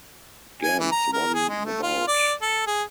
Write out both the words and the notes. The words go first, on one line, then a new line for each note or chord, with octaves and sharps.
Gans won the bout.
G#5
E3
A#5
A#4
G#4
G#3
A3
F4
D5
A4
G#4